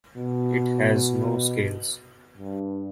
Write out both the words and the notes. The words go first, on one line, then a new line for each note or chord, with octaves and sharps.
It has no scales.
B2
G2